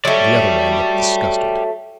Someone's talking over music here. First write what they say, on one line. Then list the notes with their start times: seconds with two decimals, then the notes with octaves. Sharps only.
The other man looked disgusted.
0.05 F#3 A3 G4 D5